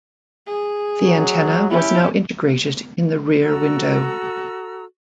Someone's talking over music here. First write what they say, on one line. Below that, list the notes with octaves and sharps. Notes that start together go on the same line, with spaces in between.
The antenna was now integrated in the rear window.
G#4
F#3
C#4 E4 G4
F#4 A4 A#5 E6